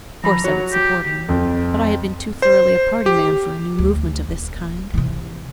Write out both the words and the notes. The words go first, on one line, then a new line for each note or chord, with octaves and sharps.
Of course, I would support him, but I had been too thoroughly a party man for a new movement of this kind.
F3 A#5 B5
F#4 C#5
G4
F2
C5
G4
D2
D#1
C3 E3